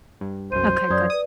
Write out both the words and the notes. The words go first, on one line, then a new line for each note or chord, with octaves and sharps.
Okay, good.
G2
C2 F#2 C5 D#7
F#2 D5 D#6 G#6
B4 D5 D#6